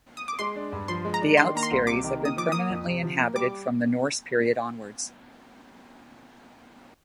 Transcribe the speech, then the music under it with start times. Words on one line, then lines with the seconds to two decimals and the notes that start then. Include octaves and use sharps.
The Out Skerries have been permanently inhabited from the Norse period onwards.
0.17 D#6
0.28 D6
0.39 G#3 C6
0.56 D4
0.72 G2
0.88 F3 C6
1.05 G#3
1.14 A#5
1.22 D4
1.37 D#3 C6
1.55 A#3 A#5
1.63 C6
1.71 C2
1.87 C3 D6
2.04 D#3
2.20 A#3
2.25 D#6
2.37 F3 D6
2.52 A#3 D#6
2.70 F2
2.86 C3
3.02 F3
3.18 A#3
3.35 G3 D6